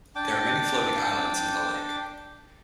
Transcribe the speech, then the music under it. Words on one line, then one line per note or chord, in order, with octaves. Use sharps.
There are many floating islands in the lake.
D4 G5 D6